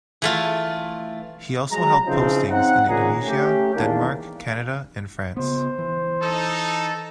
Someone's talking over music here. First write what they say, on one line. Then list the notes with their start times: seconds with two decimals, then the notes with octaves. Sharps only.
He also held postings in Indonesia, Denmark, Canada and France.
0.22 E3 A3 F4
1.71 F#3 G#3 A#5
2.06 C#3 E3 F3 C4 D#4
2.50 C4 D#4 F#5
2.88 G#1 A#2 C#3 G#4 A#5
3.24 A3 C#4 G4
3.75 E2 D#3 A#3 D4
5.37 C#3 B3 C5
5.78 E3
6.22 D#4 A4